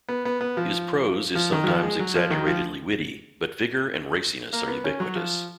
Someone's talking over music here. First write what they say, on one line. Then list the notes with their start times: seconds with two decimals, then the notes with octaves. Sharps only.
His prose is sometimes exaggeratedly witty, but vigor and raciness are ubiquitous.
0.09 B3
0.25 B3
0.41 B3
0.57 F3
1.35 F3
1.52 D#3
1.64 F#3
1.67 F3
1.83 G#3
2.00 F#3
2.15 F3
2.30 D#3
2.47 F3
4.53 A#3
4.68 B3
4.84 C#4
5.00 F#3
5.15 F3